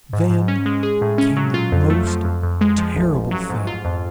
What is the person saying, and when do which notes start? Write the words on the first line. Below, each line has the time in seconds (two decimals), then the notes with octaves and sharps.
Then came the most terrible thing.
0.13 G#2
0.30 G#2
0.48 C#4
0.66 G#3
0.83 G#4
1.01 A2
1.18 C#4
1.36 F#3
1.54 F4
1.72 F2
1.90 A3
2.07 F3
2.25 F2
2.43 F2
2.61 G#3
2.78 F3
2.96 A1
3.14 A1
3.31 F#3
3.50 G#2
3.67 F4
3.85 F2